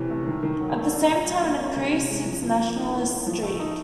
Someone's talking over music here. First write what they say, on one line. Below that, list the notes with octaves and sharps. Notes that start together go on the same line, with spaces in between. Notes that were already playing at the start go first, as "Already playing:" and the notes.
At the same time, it increased its nationalist streak.
Already playing: C3 E3 C#4
A3
D#3
D#3
F#3
A3
D4
A#2
F#3
A#3
C#4
C3
E3
G#3
F3
F3
A#3
D#4
A2
A2
F3
A3
D#4